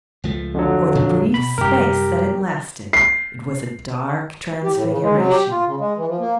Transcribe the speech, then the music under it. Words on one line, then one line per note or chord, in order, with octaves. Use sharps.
For the brief space that it lasted, it was a dark transfiguration.
C#2 F3 A3
F2 D3 F#3
D2 A#2 D4
B2 B5
F#2 C3 G3 G4 A#4
C7
G4
A2
C#3
G#3
F#3
G4
F4
C#3
G#3
E3
F3
A#3